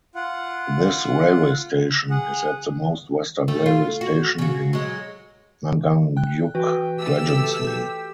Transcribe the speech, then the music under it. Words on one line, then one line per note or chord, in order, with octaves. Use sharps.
This railway station is at the most western railway station in Nganjuk Regency.
F4 F#5
G#4 F#5
G3 A3
F4
F#4
C#3 F#4
F#3 G#3
G5 F#6
E3 F#4 B4 G5
A3 G4 E6
G4 G6